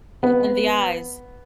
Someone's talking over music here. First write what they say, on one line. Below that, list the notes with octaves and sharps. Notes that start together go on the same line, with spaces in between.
I In the eyes.
B3